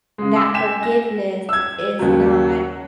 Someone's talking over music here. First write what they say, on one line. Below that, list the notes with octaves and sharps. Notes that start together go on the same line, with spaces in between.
that forgiveness is not
C#3 G#3
D6 E6
G5 G#5 B6 E7
A#6
E6 G#6
D#2 C#3 F#3